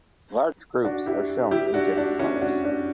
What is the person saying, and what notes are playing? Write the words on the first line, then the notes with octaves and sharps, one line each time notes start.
Large groups are shown in different colors.
D4 F#4
E4 G4
E4 G4
D4 F#4
D4 F#4
C#4 E4
D4 F#4
D4 F#4